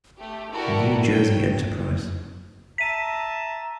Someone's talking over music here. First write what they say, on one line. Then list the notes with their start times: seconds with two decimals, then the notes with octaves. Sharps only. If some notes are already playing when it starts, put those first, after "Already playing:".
New Jersey enterprise.
0.19 A3 G4
0.53 E4 F#4 G4 A4 A#4 D5
1.10 C#5 G5
2.78 E5 A5 A#5 B6 D#7